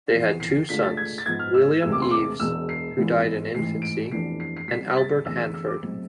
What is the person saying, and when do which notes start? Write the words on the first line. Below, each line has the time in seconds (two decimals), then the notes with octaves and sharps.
They had two sons, William Eves, who died in infancy, and Albert Hanford.
0.11 F2 E3 B3 C7
0.40 C7
0.69 D2 D3 G#3 D4 F4 B6
0.83 A6
0.97 G#6
1.18 A6
1.26 G#2 F3 B3 G#6
1.39 F6
1.54 E6
1.82 E1 D2 C3 G#3 B3 E6
1.92 D6
2.02 C6
2.11 D6
2.40 E1 E2 B2 E6
2.69 C7
2.97 G#1 G#2 E3 G#3 B3
3.54 A1 G#2 E3 C7
3.82 D7
4.11 F1 F2 E3 B3 D4 C7
4.40 C7
4.57 C7
4.67 C2 B2 B3 B6
4.97 A6
5.25 F1 E2 D3 E6
5.54 E6
5.68 D6
5.82 B1 A2 G#3 C4